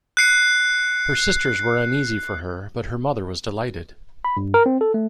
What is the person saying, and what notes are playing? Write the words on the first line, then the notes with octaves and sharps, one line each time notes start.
Her sisters were uneasy for her, but her mother was delighted.
F#6 C7 C#7
B5
G2
A#4
C4
A4
A3